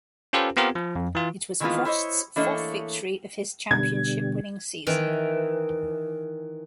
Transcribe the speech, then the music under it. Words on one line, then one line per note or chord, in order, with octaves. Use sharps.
It was Prost's fourth victory of his championship-winning season.
C#4 F4 G4 A4 B4 C5
B3 C4 F4 G4 A#4
F3
F2
E3 F4
D#3 E3 G#3 A#3 B3 F4
E4 C5 C#5 D#5
E3 A3 A#3 D4 C#5 D#5
B2 D3 G3 G#6
D#3 E3